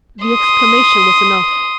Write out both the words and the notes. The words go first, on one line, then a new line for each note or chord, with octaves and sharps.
The exclamation was enough.
C6 D#6